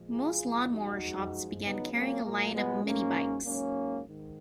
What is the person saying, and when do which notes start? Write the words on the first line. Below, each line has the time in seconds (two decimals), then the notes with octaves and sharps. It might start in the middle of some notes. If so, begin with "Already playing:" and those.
Most lawnmower shops began carrying a line of mini-bikes.
Already playing: A#2 F3 G#3
0.10 F4 G#4
0.41 A#2 F3 G#3
0.72 D#4 F#4
1.02 F#2 F3 G#3
1.63 C#2 C#3 F#3 B3 D#4
1.93 A#3 C#4
2.24 A#2 F#3 A#3
2.54 G#3 B3
2.85 G#2 F#3 A#3 C#4
3.46 G#2 F#3 A#3 C#4
4.07 G#2 D#3